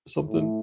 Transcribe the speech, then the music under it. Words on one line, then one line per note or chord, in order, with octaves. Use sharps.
or something?
A2